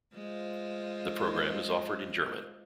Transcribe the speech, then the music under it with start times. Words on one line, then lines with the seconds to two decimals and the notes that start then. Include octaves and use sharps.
The program is offered in German.
0.14 G#3 F4 C5